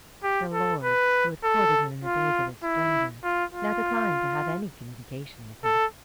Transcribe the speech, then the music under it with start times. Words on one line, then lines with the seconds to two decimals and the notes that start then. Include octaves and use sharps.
The lords who had courted him in the days of his splendour, now declined to have any communication with him.
0.23 G4
0.53 A4
0.83 B4
1.44 A4
2.04 F4
2.64 E4
3.24 F4
3.54 F4
5.64 A4